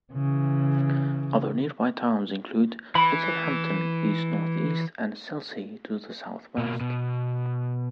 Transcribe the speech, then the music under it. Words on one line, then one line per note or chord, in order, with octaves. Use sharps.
Other nearby towns include Littlehampton east-north-east and Selsey to the south-west.
C#3 E3
E3 B5
B2 A#3
B2